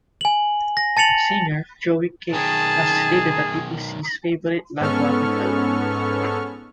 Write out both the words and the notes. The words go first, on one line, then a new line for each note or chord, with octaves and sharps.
Singer, Joey Cape has stated that it is his favorite Lagwagon album.
G#5 F#7
A#6
A5 A6 C#7 F7 F#7
B1 D#3 G#4 A5
G#2 B3 C#4 A4 C#6 F6